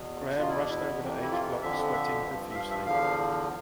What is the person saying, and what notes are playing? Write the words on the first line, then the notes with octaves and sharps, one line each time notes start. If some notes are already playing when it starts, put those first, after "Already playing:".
Graham rushed over to H block, sweating profusely.
Already playing: E2 B2
E2 B2 F4
E4
D4
E4
F2 C3 E3
E4
F4
F2 D3 F3 E5
E5
G2 F3
E5
F5
E5
E2 D3 F3 F5